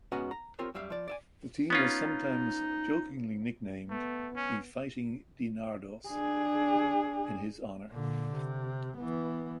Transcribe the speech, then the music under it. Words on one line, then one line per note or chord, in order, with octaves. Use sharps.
The team was sometimes jokingly nicknamed "The Fighting DiNardos" in his honor.
G#2 B3 C#4 F#4 D#5 A#5
A#5
C4 F4 G4 A#4 C5 C#5
F#2 G3 E5 F5
F3 D5
D5 E5 G#5
B3 C#4 D#4 F4
A3 B3
C#4
D4 G#4
A#2 D3
C3
E3 B3